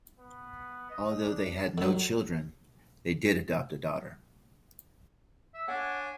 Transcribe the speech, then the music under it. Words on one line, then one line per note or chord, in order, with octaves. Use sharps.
Although they had no children, they did adopt a daughter.
B3
D#5
D4
D3 F#3
E5
D4 C#5 F#5 G#5